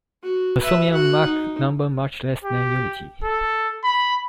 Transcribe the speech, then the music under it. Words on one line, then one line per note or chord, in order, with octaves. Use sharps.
Assuming a Mach number much less than unity.
F#4
B4 E5
F#4 F#5
D#4
G4
A4
B5